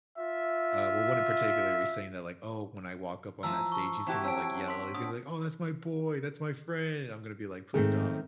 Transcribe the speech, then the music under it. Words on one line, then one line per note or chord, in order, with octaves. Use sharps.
uh, well, one in particular is saying that, like, "Oh, when I walk up on that stage, he's gonna, like, yell. He's gonna be like, oh, that's my boy. That's my friend." I'm gonna be, like, "Please don't,"
F4 E5
E3 F3 A3 A5 A#5 E6
A5 C#6
E3 C4 E4 F#4 G4
F#3 C4 E5 E6 D7
C6 B6
B2 D4 D#6
G#2 D#3 A3 C4 G#4